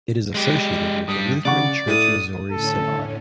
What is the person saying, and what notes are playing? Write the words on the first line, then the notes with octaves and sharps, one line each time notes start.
It is associated with the Lutheran Church Missouri Synod.
G#3 G4
G2 G3 D#6
C#3 D5 F#5 C#6
A2 D#6
A2 D3 C#4 A4